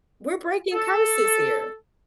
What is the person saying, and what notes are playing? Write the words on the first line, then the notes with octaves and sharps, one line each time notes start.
We're breaking curses here.
A4